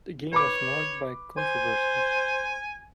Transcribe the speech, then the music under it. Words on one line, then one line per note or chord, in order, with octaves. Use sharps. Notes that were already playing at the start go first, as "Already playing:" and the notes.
The game was marked by controversy.
B4 C#5 B5 D6
C5 G#5